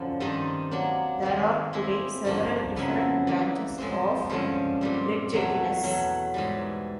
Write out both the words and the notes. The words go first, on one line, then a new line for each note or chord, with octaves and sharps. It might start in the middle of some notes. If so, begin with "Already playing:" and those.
There are today several different branches of Bridgettines.
Already playing: F#2 A2 D3 F3
G2 D#3 G3 C4 D#4
F#3 A#3 D4
G#2 D#3 G#3
G#3 C4 E4 G4
G2 D3 F3 A#3
F2 C#3 F#3 B3 E4
E3 G3 A#3
A2 F3 G#3 C4
G2 D3 F3 G#3 C#4
A#2 G3 C4
E2 B2 F#3 A3
E2 B2 F#3 A3
G#2 E3 G3